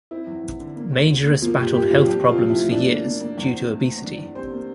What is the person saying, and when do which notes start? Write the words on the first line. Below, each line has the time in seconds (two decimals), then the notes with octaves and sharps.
Majerus battled health problems for years due to obesity.
0.11 C4 E4
0.27 E2
0.43 E2
0.60 D3
0.76 A#3
0.92 D2
1.09 D3
1.26 A#3
1.42 F3 A#3 F4
1.57 A#2 G3 G4
1.74 A#2 G3 G4
1.90 A#2 F3 F4
2.07 F2 G3 G4
2.22 C3
2.28 F3 F4
2.39 F2
2.50 E4
2.56 A3
2.71 E3 D4
2.88 A#3
3.05 A#3
3.20 A#3
3.38 E2
3.53 C4
3.69 A3
3.86 C4
4.02 E2 D4
4.19 E2
4.35 G3 C4 C5
4.51 A#3